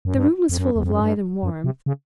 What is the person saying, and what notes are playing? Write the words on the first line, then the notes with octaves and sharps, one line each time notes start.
The room was full of light and warmth.
F#2
G2
F2
F#2
E2
F2
F#2
G2
F#2
C3
C#3